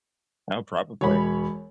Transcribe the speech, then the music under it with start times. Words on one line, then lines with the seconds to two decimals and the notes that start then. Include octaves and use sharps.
Oh, probably.
1.01 E1 C#5 B5